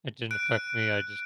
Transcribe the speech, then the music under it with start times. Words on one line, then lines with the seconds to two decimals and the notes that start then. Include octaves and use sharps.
it didn't affect me, I just,
0.31 F#6 D7